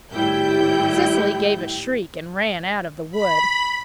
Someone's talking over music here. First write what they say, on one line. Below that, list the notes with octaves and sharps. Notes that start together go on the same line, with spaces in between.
Cecily gave a shriek and ran out of the wood.
G#1 A2 G3 E4 G5 G6
B5